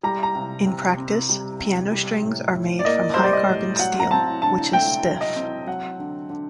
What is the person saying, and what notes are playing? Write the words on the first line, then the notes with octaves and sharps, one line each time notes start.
In practice, piano strings are made from high-carbon steel, which is stiff.
G3 A#5
A#5
C3
C3
C4
G3
C3
G3
A2
A2
D5
A#3 D#5
G3 C5
D5
D#5
A2
F#3 F#5
A#5
C4 A5
D3 A5
A3 G5
F#3
D#5
C4
F#3 F#5
D3
D3